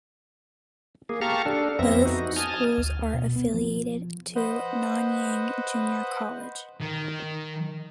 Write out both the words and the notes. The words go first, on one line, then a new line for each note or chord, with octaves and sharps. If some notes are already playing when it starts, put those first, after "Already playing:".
Both schools are affiliated to Nanyang Junior College.
A#3 G#4
G4 F5 A5 A#5 C#6 F6
D4 A4
F2 B3 C4 E5 A#6
D#4 F#4
G#5 A5 D#6 F6
D2
B2
B3
F3
B4 C5 D#5 F#5
D#3